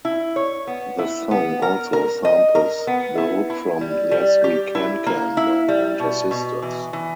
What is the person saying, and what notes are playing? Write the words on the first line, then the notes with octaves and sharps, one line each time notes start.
The song also samples the hook from "Yes We Can Can" by Pointer Sisters.
E4
C#5
B3
E4
B3
A#4
A#4
D#5
A#4
B3
E4
E4
G3
G3
G4
E4
A#3
E4
G3
B2
B2
E3
E3